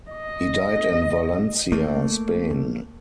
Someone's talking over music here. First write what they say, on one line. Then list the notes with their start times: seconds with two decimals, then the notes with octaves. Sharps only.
He died in Valencia, Spain.
0.11 D#5
1.72 A3 A#3